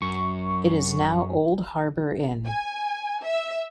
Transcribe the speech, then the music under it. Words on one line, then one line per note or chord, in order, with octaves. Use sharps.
It is now Olde Harbour Inn.
F#2 C#6
G#5
E5